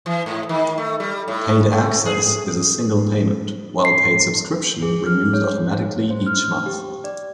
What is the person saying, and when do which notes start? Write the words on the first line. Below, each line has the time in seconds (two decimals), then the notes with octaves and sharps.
Paid Access is a single payment, while Paid Subscription renews automatically each month.
0.06 E3
0.26 G#2
0.49 D#3
0.78 A3
1.00 G3
1.28 A2
1.72 A3
2.06 G#4
3.85 C7
4.82 G#4
5.06 F6
5.33 C#5
6.10 C5
6.27 F6
6.66 G4
7.04 D5